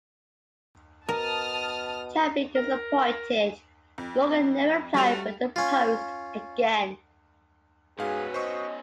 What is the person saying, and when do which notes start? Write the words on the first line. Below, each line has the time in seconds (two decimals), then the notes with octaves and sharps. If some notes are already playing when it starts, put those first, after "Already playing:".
Terribly disappointed, Morgan never applied for the post again.
1.09 B2 A#4 A5 D#6 F6
2.55 A#4
3.98 F2
4.94 G3 A3 C#4 F#4 F7
5.56 C#4 F4
7.98 G#2 B3 C#4 F#4 G#4 B4 F5
8.34 C5 D#5 C#6 D#6